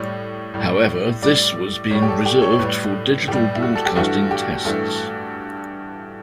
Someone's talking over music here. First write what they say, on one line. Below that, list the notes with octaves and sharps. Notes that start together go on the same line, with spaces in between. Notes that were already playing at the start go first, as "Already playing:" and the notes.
However, this was being reserved for digital broadcasting tests.
Already playing: A2 G3 C#5
A2 G3
A2 G3 D5
A2 G3 C#5
G4
A4
G4
C#5
A2 G3 B4
A2 G3 G4
E4
F#4
A4
G4
G2 E3 A3 F#4
G4
G2 E3 A3